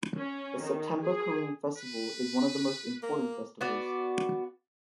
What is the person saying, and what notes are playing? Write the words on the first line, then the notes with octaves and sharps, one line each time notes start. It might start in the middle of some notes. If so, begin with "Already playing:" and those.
The September Korean Festival is one of the most important festivals.
C#4
D#3
G#4
B4
A#3
B3 F#4 D5